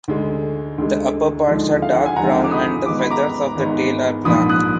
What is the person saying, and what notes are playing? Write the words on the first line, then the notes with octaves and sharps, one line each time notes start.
The upperparts are dark brown and the feathers of the tail are black.
D2 D3 G#3
D2 D3 G#3
D#2 D3 F3 G#3
F5
F#5
G#5
D#2 D3 F3 G#3 F#5 A#5
D6
B5 D#6
G#1 G#2 D#3 G#3 B3 D6
B5
A#5 D6
G#1 G#2 D#3 G#3 B3
A#1 G#2 F3 A#3 B5 D#6
D#6 F#6